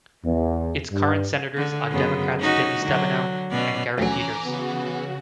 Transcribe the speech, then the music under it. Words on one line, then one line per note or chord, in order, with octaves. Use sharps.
Its current Senators are Democrats Debbie Stabenow and Gary Peters.
E2
G2
D3
F#2 C#3 B3
C#4 D#4 F#4
D3 F#3
B2 C#4 D5
D2 E3 F#3 C#4 G#5 A#5 D6
C#3 B3 F#4